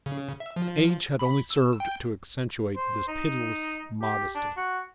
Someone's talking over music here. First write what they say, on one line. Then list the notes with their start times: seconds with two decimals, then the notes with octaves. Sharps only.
Age had only served to accentuate this pitiless modesty.
0.06 C#3
0.40 E5
0.56 F3
1.19 B5
1.51 E6
1.80 G5
2.76 C5
3.08 D#4
4.01 G4
4.35 D4
4.57 F#4